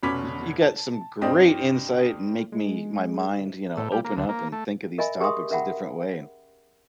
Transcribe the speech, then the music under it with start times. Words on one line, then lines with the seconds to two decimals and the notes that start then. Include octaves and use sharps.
you you got some great insight and make me my mind, you know, open up and think of these topics a different way, and
0.03 F1 B2 C#4 B5 D6 B6
0.61 A5
1.21 G2 C4 G4 D5 D#5
2.52 G#3
3.77 A2
3.92 G3
4.04 A#3
4.17 D2
4.29 A#3
4.52 A3
4.98 A#4 D#5 E5 G#5 B5
5.20 G4 G#4 A#4 E5 C6 D#6
5.50 C#4 A#4 E5 F#5 G5 B5